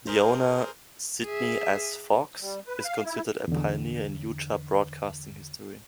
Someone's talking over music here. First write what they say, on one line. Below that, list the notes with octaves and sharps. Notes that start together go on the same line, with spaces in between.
The owner, Sidney S. Fox, is considered a pioneer in Utah broadcasting history.
G#4 A#4 C5
G#4 E5
G3
B4
F5
E4
E2 D3